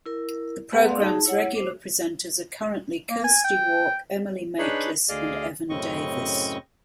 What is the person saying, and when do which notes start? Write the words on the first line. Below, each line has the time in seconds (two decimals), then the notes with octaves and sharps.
The programme's regular presenters are currently Kirsty Wark, Emily Maitlis, and Evan Davis.
0.06 E4 A#4
0.72 A3 B3 G#4 B4 F#5
0.88 D5 F5 C6
1.00 D#4 G#4 A5
1.26 E4 C#5 F#5
1.55 C5 D6
3.10 A#3
3.24 G#5
3.45 G5
4.59 D4 D#4 G#4 B4 C#5 B5
5.09 D2 G#4 D5 D#5 F5
5.69 F#2 A2 C#3 C4 D#5 C#6